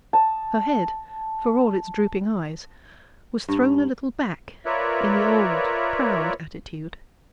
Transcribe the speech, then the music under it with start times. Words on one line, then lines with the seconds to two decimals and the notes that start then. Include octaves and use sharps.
Her head, for all its drooping eyes, was thrown a little back, in the old proud attitude.
0.13 A5 D#6
3.48 G2
4.66 F4 A#4 B4 C#5 D5 E5